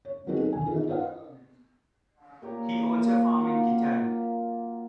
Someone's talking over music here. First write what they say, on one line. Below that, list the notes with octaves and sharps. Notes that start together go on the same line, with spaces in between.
He owns a farm in Kitale.
C#5
F#3 B3 C4 D#4 F#4 G#4
A4
E1 G#5
D#3 B3 D#4 F4 G#4 A4
F4 B4 C5 F5 F#5
A#2 G4 C#5 A#5
A#3
F#3 A#3 F4